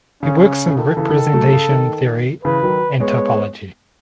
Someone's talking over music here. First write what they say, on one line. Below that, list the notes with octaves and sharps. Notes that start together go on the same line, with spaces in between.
He works in representation theory and topology.
C#3 C#4
C#3
D#3 A4
C#3 E3
C#3
D#3
F#3 A3
C#3
D#3
C#3 E3 B4
D#3 F#3
G#3 B3 C#5